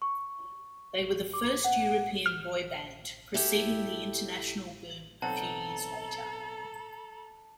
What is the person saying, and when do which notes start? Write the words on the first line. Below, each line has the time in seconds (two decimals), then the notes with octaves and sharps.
They were the first European boyband preceding the international boom a few years later.
0.02 C#6
1.34 D6
1.64 F#5
2.26 F6
3.34 E4 G4 A4
5.22 B1 C4 A4 F#5 A5 A#5